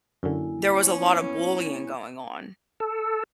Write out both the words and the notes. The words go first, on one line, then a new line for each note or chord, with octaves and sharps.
there was a lotta bullying going on,
F#2 D3 A#3 E4 G#5
B3 C#4
A4